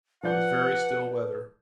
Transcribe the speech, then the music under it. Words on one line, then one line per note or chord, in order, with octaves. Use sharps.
It was very still weather.
F3 B4 D5 F#5 G6